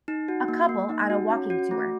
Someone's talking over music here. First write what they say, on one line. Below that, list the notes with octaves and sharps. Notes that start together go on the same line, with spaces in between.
A couple on a walking tour.
D#4
F#4
A#3
A#3
D#4
F#4
C#4
F#4
A3